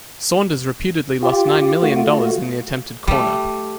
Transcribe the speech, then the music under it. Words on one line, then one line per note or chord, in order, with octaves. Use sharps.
Saunders reputedly lost nine million dollars in the attempted corner.
F4 G4
A3 F4 F#4
G3 A3